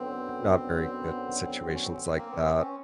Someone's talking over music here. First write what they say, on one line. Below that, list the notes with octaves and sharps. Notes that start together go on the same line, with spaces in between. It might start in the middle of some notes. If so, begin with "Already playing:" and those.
not very good at situations like that
Already playing: F#2 D3 F#3 B3 C4
C#4
C4
A#3
B3
C4
C#4